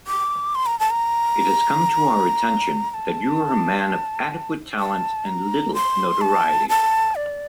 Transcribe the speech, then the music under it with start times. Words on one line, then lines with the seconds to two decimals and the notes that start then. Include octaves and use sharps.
It has come to our attention that you are a man of adequate talents and little notoriety.
0.07 D6
0.55 C6
0.66 A#5
0.80 A5
0.91 A#5
2.91 A#5
2.94 A5
4.79 A5
5.26 A#5
5.74 C6
6.21 A5
6.69 A5
7.15 D5